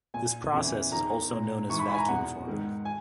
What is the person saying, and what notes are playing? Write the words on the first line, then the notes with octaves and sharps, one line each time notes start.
This process is also known as vacuum forming.
A#2 G#5
E2 C#3 E3
E2 D#3 A#5
A#2
G#2 E3 C#6
B5
B5
G#5
A#5
E2 B2 F#5
G#2 D#3
G#5